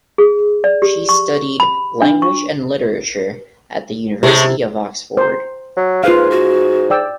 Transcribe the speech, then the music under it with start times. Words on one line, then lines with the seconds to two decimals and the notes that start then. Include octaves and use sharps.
She studied Language and Literature at the University of Oxford.
0.18 G#4
0.64 D5
0.82 G4
1.09 C#6
1.60 B5
2.02 D4
2.22 C#6
4.23 A2 C3 G#3 E4
5.17 C5 A#5
5.76 F#3
6.04 G#2 F4 B4 F5
6.31 F#4
6.90 D5 G5 E6